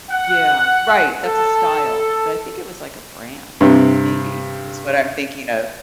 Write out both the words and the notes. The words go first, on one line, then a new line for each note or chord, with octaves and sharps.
Yeah, right that's a style. But I think it was like a brand, maybe, is what I'm thinking of,
F#5
A4
G2 C3